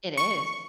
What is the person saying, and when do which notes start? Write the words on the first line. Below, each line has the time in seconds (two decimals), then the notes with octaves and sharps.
It is.
0.17 C#6